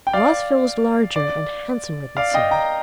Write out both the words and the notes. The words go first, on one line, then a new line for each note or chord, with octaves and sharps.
Rosville was larger and handsomer than Surrey.
G5
D5 F5
D5
D5 F5
D#5 G5
G5 A#5